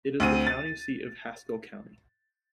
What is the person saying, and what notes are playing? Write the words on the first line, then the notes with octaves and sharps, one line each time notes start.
It is the county seat of Haskell County.
D2 C4 D#7
A6